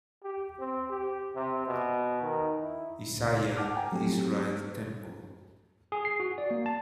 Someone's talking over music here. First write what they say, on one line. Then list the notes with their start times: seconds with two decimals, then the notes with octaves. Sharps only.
Isaiah Israel Temple.
0.23 G4
0.59 C4
0.90 G4
1.35 C3
1.66 B2
2.22 D#3
2.62 E4
3.12 C#2 A2
3.57 F#5 A5 D6 F6
3.76 G5 G#5 A#5
3.92 F#3 A3 C4 G4
5.92 G#4
6.05 C7
6.20 F#4
6.38 D5
6.51 A#3
6.66 A5